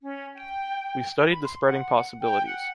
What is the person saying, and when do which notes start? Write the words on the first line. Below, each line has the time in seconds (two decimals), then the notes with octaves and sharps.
We’ve studied spreading possibilities.
0.01 C#4
0.35 G5
1.30 B5
1.44 C6
1.65 F#5
2.21 G5
2.46 F#5